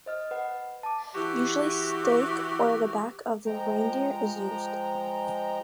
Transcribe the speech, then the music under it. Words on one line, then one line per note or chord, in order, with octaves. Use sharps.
Usually steak or the back of the reindeer is used.
C5 D#5 F6
B4 F#5
A5 D6
E3 F#4 G4
F3 G#3 G5 A#5